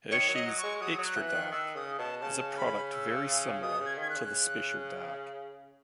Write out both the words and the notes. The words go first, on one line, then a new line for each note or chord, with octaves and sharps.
Hershey's Extra Dark is a product very similar to the Special Dark.
D#3 C#5
F#3
D#5
F#3
C#6
G#3
F#3 D#6
F#3
F#6
E3
F#6
D#3
D#3 E6
C#3 D#6
B2 A5
C#3 A5
B5
E6
B2 D#6
C#3
G#6
D#3 G#6
F#6
C#3